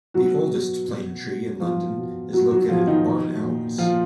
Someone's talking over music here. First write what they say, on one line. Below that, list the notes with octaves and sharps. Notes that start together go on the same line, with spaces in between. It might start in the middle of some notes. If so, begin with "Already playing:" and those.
The oldest plane tree in London is located at Barn Elms.
B2 F#3 F#4
B2
B2
B2
B2 F3 F4
B2
B2 F#3 F#4
F#3 F#4
B2 F3 F4
D#3 D#4
F3
A#2
F3 F4